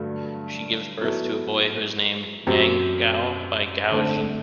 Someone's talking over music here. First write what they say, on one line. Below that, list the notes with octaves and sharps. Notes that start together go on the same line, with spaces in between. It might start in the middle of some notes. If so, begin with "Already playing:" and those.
She gives birth to a boy, who is named "Yang Guo" by Guo Jing.
Already playing: G2 D3 F#3 A3
F#3 B3 E4 A4
F#2 F#3 C4 G4
D3 A3 C4